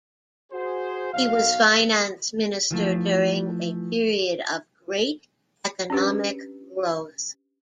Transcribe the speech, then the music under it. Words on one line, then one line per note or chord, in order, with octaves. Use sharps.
He was Finance Minister during a period of great economic growth.
F#4 G#4 C5
B1 B3 F#4 F5
E3 F3 A3
C#4 D4 G4 B4